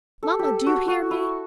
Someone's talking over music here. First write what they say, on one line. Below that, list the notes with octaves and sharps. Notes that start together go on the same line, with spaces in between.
Mamma! do you hear me?
A4
G4 A4
F#4
F#4
E4